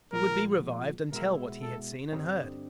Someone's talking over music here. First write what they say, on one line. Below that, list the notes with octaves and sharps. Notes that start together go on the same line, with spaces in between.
He would be revived and tell what he had seen and heard.
A#2 F3 G#3 B3 D#4 A#4
B2 G#3 B3 E4 A#4
A4
G2 D3 G3 C4 D#4